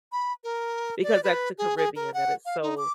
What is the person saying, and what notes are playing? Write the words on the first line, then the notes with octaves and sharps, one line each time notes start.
because that's the Caribbean, that it's so,
B5
A#4
D5
B4
G#4
G#4
A#4
F#5
F5
D#4
D6